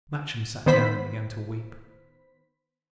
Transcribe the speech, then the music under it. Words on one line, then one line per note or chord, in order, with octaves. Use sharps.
Matcham sat down and began to weep.
D#3 B3 C5 B5 B6